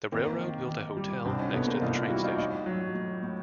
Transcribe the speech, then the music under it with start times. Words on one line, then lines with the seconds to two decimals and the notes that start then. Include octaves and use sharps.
The railroad built a hotel next to the train station.
0.12 D#3 A#3 C4
0.41 D#3
0.69 D#3
0.97 G3
1.25 C2 C4 D4
1.39 C#4 D#4
1.53 C2 A3 B3
1.67 A#3 C4
1.81 C2 D#4 F4
1.95 D#4 F4
2.09 G3 E4 F#4
2.24 D#4 F4
2.38 A2 D#4 F4
2.66 F#3
2.95 A2
3.23 A2